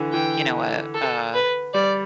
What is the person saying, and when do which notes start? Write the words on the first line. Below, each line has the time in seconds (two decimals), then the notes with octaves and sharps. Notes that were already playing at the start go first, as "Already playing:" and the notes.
you know, a a
Already playing: D3 E3
0.13 E3 G5
0.95 A4
1.34 B4
1.74 G3 D5